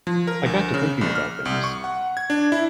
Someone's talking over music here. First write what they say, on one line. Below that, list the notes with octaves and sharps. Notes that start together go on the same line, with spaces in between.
I got to thinking about things.
F3
A#4
D2
C#3
A#1
F6
C2
C#6
F#5
G#6
D4
E4